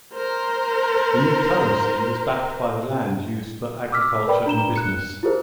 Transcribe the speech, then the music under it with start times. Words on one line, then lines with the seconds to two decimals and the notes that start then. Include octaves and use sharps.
The new currency was backed by the land used for agriculture and business.
0.13 A#4 C5
3.92 D6 E6 F6 B6
4.28 A#4 B4 D5 G5 B5
4.46 D4 A#5 E7 G7
4.76 F#6 C#7
5.23 E4 F4 G4 G#4 A#4 C5